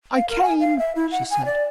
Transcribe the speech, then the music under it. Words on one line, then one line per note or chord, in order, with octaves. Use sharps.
"I came," she said.
F5
A#4
G#5
F5
E5
E4
F#5
G#5
D5